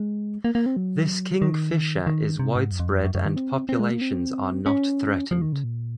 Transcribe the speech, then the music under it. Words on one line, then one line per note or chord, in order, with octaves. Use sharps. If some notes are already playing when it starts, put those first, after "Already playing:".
This kingfisher is widespread and populations are not threatened.
Already playing: G#3
A#3
A#3
C4
F#3
D#3
D#3
C3
G#2
F#2
F2
F#2
F2
F#2
F#2
D#3
C4
C4
G#3
A#3
C4
C#4
F3
D#3
C#3
A#2